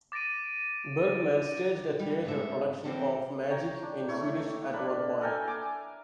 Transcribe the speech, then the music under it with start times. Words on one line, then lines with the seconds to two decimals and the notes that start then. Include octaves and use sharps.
Bergman staged a theatre production of "Magic" in Swedish at one point.
0.12 D6 A6 A#6 D7 D#7
2.00 G3
2.24 D#2 G#2 D3 A3 A4 E5
2.84 E3 F3 A#3 C4 G4 A4
3.50 C#5 G5 A#5
3.82 D4
4.08 A3 A#3 E4 C#5
4.72 A#3 D4 B5
5.21 A4 A#4 G5 G#5
5.47 G#5 D6